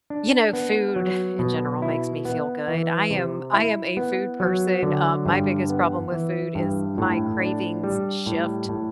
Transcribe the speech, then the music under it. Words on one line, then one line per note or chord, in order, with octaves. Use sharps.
You know, food in general makes me feel good. I am I am a food person, um, my biggest problem with food is my cravings shift
D4
B3
F#3
B2
E4
B3
E3
C3
E4
B3
F#3
D3
G2
B3
E3
G2
A2
D4
G3
A2
A2